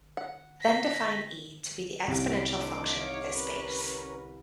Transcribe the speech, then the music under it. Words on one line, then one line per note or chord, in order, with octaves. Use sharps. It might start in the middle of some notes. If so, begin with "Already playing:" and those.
Then define "e" to be the exponential function with this base.
F#5
A#6 B6
C2 C#4 D6
A3 D4 D#4 C5
D#4 C#5 F5
C#4 A#4 B4